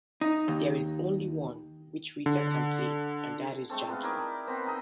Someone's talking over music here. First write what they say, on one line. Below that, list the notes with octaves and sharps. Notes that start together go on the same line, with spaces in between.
There is only one which Rita can play, and that is Jacky.
D#4
D#2
D3
G#3 A3 C4 A4
B3 F5
D#4 E4 A#4 D5
B3 C4 A#4 B5
D#4 A4 D#5 G5